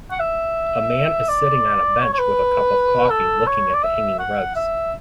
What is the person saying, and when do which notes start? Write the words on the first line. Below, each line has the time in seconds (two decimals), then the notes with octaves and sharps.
A man is sitting on a bench with a cup of coffee looking at the hanging rugs.
0.11 F#5
0.20 E5
1.29 D5
2.02 C#5
2.13 C#5
2.19 B4
3.10 A4
3.47 C#5
3.74 D5
3.83 E5
4.19 F#5
4.56 E5